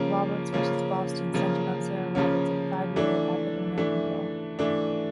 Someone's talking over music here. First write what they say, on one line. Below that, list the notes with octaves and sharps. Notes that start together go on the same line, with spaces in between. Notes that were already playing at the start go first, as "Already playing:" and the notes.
"Roberts versus Boston" centered on Sarah Roberts, a five-year-old African-American girl.
Already playing: C#3 F3 A#3 C#4
C#3 F3 A#3 C#4
C#3 F3 A#3 C#4
C#3 F3 A#3 C#4
E3 A3 D4
E3 A3 D4
E3 A3 D4